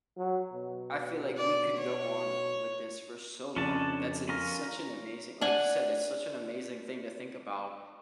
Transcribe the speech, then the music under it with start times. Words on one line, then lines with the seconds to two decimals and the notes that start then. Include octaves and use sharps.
I feel like we could go on with this for so long. That's an such an amazing like you said, it's such an amazing thing to think about,
0.18 F#3
0.53 B2
1.37 D5
1.77 C#5
3.56 F2 C#3 C#4 D4 A5
4.29 C#4 F4 A#4
5.41 D4 F#5 G#5